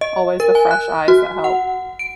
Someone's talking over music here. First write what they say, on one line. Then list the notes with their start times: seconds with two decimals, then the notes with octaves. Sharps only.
always the fresh eyes that help.
0.01 D#5
0.40 A#4
0.55 G#5
0.71 F#6
1.08 F#4
1.44 F#5
1.99 D7